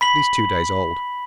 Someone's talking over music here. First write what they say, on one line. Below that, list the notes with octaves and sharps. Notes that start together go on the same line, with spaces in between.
It was at least two days old.
B5 B6 F#7